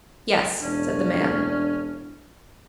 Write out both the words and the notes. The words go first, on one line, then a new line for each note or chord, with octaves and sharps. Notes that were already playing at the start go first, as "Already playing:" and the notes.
"Yes," said the man.
E1 C#4 D4